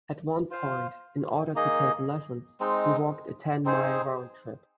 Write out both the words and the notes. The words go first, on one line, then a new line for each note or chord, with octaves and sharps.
At one point, in order to take lessons, he walked a ten-mile round trip.
F4 C5 F5
A#3 D#4 G#4 D#5
G#3 C4 D#4
C4 D#4 G#4 C5